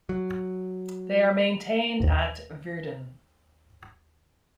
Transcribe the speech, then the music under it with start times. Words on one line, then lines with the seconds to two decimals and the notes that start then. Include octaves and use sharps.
They are maintained at Yverdon.
0.09 F#3
2.00 A#1 D#2